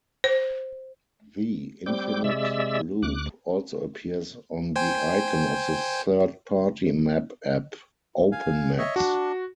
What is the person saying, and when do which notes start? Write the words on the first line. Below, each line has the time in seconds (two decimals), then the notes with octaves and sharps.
The Infinite Loop also appears on the icon of the third-party map app OpenMaps.
0.24 C5
1.86 G3 C4 D6 G6
2.24 C3 G#3 D5 E5 E6
3.03 D2 D6 F#6
4.76 C5 G5 G#5
8.32 F5 G#5
8.78 C#5 D#5 E5
8.96 D4 F#4